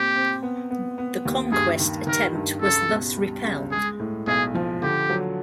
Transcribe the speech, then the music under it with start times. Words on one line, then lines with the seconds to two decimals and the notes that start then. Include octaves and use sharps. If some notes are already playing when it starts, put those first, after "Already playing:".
The conquest attempt was thus repelled.
Already playing: A#2 C4 G4
0.15 C4
0.43 B3
0.71 B3
0.98 B3
1.25 D#2
1.52 G2 G#4
1.79 D#3
2.07 D#3 A#4
2.35 G2
2.62 C#2 A4
2.89 B2
3.17 G3
3.44 C#2
3.72 G#3 G#4
4.00 A2
4.27 B1 G#4
4.54 F3
4.82 D3 G4
5.09 F#3